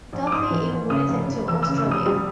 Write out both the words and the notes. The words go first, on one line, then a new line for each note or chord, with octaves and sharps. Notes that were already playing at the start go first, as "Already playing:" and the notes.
Duffy emigrated to Australia.
A#1
D6
G#2 D#6
E3
A#1
C#3 D#6
F1
F1
E2 E6
E6
C#3
E6
F1
D#6
G3 D#6